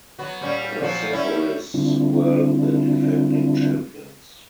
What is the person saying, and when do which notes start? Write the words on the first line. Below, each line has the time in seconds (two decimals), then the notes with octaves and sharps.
Persepolis were the defending champions.
0.19 F#3 B3 F#4
0.41 A#2 G3 C#4
0.78 A#2 F3 F#3
1.11 G3 C#4 E4
1.74 D3 G3 C4 D4 E4 F4